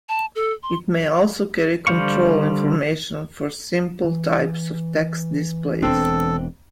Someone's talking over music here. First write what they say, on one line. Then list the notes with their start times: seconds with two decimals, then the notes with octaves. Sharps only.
It may also carry control information for simple types of text displays.
0.09 A5
0.35 A4
0.63 C6
1.87 D3 G3 C5 F5 C#6
4.05 E3
5.82 E1 C4 D4 A4